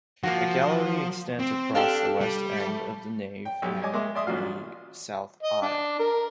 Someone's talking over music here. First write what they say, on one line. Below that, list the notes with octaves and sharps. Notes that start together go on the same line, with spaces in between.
A gallery extends across the west end of the nave and the south aisle.
F3 A#3 F4 F#4
C4
D4 G4 A4 F5
G3
A3
G5
B1 G4
C#5 D#5 G#5 D6
G#3 A#3 E5 C6 D6
D5 E5 C6 D#6
A1 A#2 F#3 F4 F5 F6
D#5
D4
A#4